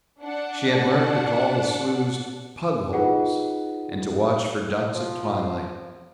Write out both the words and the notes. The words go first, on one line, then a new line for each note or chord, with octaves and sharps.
She had learned to call the slews "pugholes," and to watch for ducks at twilight.
D4 F#5
D#4 F4 G#4 B4 F#5
F3